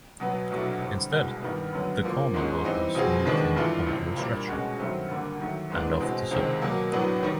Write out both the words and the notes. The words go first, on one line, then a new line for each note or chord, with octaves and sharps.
Instead, the corner workers moved him onto a stretcher and off the circuit.
B2 F#3 B3
C2 B2 F#3 A3 D4
D3 G3 C4
C2 B2 G#3
G2 D#3 G3 B3
F#2 D3 F#3 B3
D3 F3 A#3
G#2 F3 G#3 C#4
E3 G3 C4 D#4
B2 G3 C4 F4 G#4
D#2 D#3 G#3 B3 D4
G2 E3 A3 D4 F4
C#2 C3 F3
A#2 G3 A#3 D4
B2 G#3 C#4 F#4
G2 D#3 F#3 A3 C4
D2 D3 G3 A#3
D#3 F#3 A3
G#2 E3 G#3 B3 D4
B2 G#3 C4
C#2 C3 D#3 G#3 C4
B2 F#3 A#3
A2 F#3 B3 D4
D#3 G3